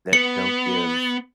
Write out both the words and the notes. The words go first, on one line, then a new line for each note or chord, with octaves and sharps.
that don't give
B3 C#7